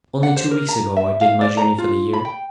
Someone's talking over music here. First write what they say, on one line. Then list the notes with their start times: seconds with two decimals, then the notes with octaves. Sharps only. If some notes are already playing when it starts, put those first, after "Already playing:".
Only two weeks ago I did my journey for the year.
0.23 F#5
0.36 C5
0.51 A#4
0.69 A#5
0.96 E5
1.21 F5
1.41 D5
1.57 A#5
1.78 F4
2.13 B5
2.25 G5